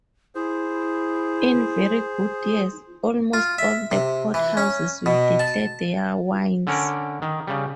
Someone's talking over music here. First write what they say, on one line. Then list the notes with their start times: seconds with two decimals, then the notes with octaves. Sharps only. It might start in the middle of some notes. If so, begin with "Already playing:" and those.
In very good years, almost all the port houses will Declare their wines.
0.35 E4 G#4 C5
3.33 F4
3.58 E5
3.91 C3
4.34 E3
4.57 C#4
5.06 B2
5.39 A5
6.67 D3 C#4 A#4 D5
7.22 D#3
7.47 C#3 G3